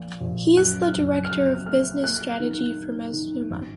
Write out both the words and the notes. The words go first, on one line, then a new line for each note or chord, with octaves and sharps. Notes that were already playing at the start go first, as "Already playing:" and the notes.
He is the Director of Business Strategy for Mazzuma.
Already playing: A#1 A#2 F3
A#1
F#2 F#6
F6
F#1
F6
F#2 F#6
A#3 F6
A#3 F#6
D#3
D#4
D#3
G#1